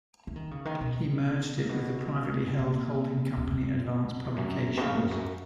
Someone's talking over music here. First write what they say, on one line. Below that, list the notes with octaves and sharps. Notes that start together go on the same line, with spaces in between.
He merged it with the privately held holding company Advance Publications.
E3
D#3
C#3
D#3
B2
A#2
B2
A#2
E2
F#2
E2
F#2
B2
C#3
A#2
E2
F#2